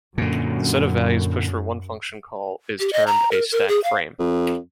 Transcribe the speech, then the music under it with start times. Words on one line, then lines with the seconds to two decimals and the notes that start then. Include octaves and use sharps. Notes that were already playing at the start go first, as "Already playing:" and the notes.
The set of values pushed for one function call is termed a "stack frame".
0.18 F#2 A#2 D3
2.79 G4
2.93 D#5
3.07 A#5
3.32 A#4
3.52 A#4
3.68 G#4
3.84 F5
4.19 F2